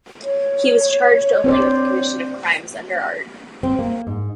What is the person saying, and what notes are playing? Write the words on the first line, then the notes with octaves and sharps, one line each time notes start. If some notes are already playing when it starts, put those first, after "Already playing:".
He was charged only with the commission of crimes under Art.
C#5
C4 C5 D5
C4
A#3
G#2